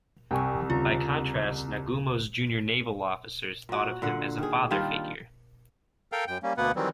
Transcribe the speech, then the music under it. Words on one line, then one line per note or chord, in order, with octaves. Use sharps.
By contrast, Nagumo's junior naval officers thought of him as a father figure.
C2 G5 G#5 C#6
D#2 C#3 F4 A#5
A#2 F#4
A#2 D3 F#5
D#3 G#4
D#3 G3 D4 F4
A4 A#4 F5 G5
F#2 G5
G3 A#3 C#4
D2 B2 A#3 B3 B4 F#5
D#3 E3 F#3 G3 C4